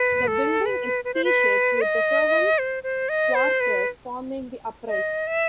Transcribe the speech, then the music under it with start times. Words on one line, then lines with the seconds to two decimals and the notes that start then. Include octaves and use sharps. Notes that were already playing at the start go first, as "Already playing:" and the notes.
The building is "T" shaped with the servants quarters forming the upright.
Already playing: B4
0.27 A4
0.66 B4
1.05 B4
1.14 C5
1.24 B4
1.81 D#5
2.58 C5
2.83 C5
3.09 D#5
3.35 C5
3.60 B4
4.88 D#5
5.27 E5